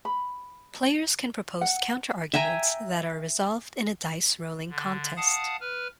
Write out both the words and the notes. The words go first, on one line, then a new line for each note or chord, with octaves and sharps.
Players can propose counter-arguments that are resolved in a dice rolling contest.
B5
F#5
E5 G5 G#5 A#5
D3
F5 F#5 A5 D#6
B4 F6